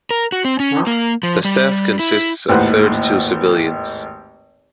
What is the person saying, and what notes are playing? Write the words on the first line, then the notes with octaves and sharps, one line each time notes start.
The staff consists of thirty-two civilians.
A#4
F#4
C4
C#4
A#3
F3
G3
E4
G#1 D#2 A2 B4 C5 F#5